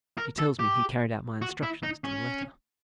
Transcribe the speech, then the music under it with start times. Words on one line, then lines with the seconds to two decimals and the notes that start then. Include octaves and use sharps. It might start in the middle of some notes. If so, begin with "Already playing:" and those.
He tells me he carried out my instructions to the letter.
0.18 A#4
0.39 A4
0.59 G4
1.42 F#4
1.63 E4
1.83 D#4
2.04 C#4